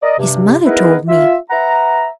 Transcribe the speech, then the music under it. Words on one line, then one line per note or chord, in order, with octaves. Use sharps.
His mother told me.
A#4 D5 D#5
G2 C3
B3 D#4 E4 G#4 A#4 B4
F4 E5
B4 E5 F#5 A#5